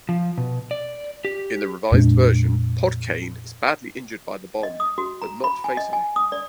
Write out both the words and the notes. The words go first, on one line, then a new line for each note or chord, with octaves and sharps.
In the revised version, Podkayne is badly injured by the bomb, but not fatally.
F3
B2
D5
G4
F2 A#2 G#3 D4
D#5
D#6
F#4
A#5
B5
G#5
D#5
G#5
D#6
D5